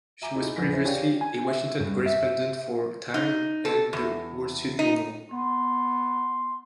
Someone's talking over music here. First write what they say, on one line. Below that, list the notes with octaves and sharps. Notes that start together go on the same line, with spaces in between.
She was previously a Washington correspondent for "Time" and "The Wall Street Journal".
E5 G#5 A#5 D6
D#4 E4 F#4 G#4
A#1 E2 B4 G#5 A#6 B6
E4 C5
C#4 G4 C#5 D5 F5 G5
G#5
E5
G2
E5
D#4
A4
E2
D#4
B3 C6